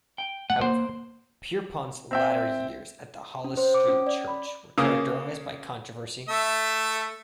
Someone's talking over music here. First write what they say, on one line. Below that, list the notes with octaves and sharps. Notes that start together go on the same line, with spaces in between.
However, Pierpont's latter years at the Hollis Street Church were characterized by controversy.
G5
A3 F#5
A#3 C5
C4 E5 G5
C#4
C5
D6
C#4
D5
B5
C#3 A#3 D#6
A3 E5